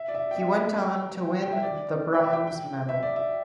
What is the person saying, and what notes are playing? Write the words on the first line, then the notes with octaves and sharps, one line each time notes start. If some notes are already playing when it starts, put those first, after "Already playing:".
He went on to win the bronze medal.
Already playing: E5
D5
E5
G5
E5
G5
G5
E5
D5
G5
E5
G5
G5
E5
D5
E5